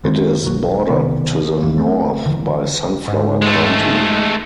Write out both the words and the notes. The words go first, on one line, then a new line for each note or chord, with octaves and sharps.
It is bordered to the north by Sunflower County.
F#2 D#3 G#3 C4
B1 F#3
B1 C3 D#3 B3
A1 D#2 E3
A3 C4
E1 D3 E3 F3
G#2
G#3 A3